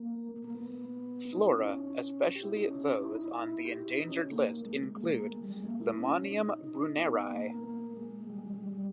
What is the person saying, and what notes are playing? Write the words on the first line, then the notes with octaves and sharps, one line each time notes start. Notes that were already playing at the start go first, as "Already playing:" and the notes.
Flora especially those on the endangered list include "Limonium brunneri".
Already playing: A#3
A#3
B3
D#4
E4
C#4
G4
E4
D#4
C#4
E4
D#4
E4
G4
E4
D#4
C#4
A#3
G#3
A#3
A#3
G#3
G3
G#3
A#3
E4
C#4
D#4
D#4
D#4
B3
A#3
A#3
G#3
G3
G#3
G3
G#3
G3